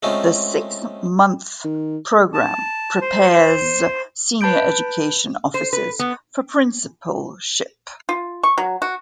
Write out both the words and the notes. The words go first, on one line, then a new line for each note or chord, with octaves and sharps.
The six-month programme prepares senior education officers for principalship.
G#3 A3 C4 C#4 D#4 F4
D#3
A5
C5
B4 A5 B5 G6 D7
C5
B4
B3
F4
C#6
F#3
F#4